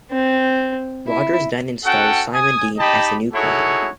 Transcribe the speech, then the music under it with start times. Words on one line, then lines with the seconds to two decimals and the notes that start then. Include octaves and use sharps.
Rogers then installed Simon Dean as the new president.
0.12 C4
1.07 E4
1.84 C#4 F#4 A4 F#5 G5 A5
2.33 G#5 D#6
2.78 D#4 G4 D#5 G5 A5 B5
3.34 D#4 E4 F#4 G#4 A4 C#5